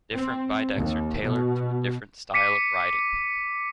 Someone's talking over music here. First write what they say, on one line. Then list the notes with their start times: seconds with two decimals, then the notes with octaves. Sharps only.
Different bidecks are tailored to a different style of riding.
0.14 C4
0.77 D#2
1.23 B2
2.34 D6 B6 C#7 D#7